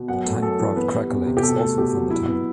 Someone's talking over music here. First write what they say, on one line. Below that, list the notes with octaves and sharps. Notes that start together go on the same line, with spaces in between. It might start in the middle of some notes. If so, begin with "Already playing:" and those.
The tiny private Cracker Lake is also within the town.
Already playing: B2
F#2 F#5
A3
F#2 A4
E3
B3 B4
G3
E2
C3
G4
B2 A4
A3
B2 G4
F#3
B2 E4
B3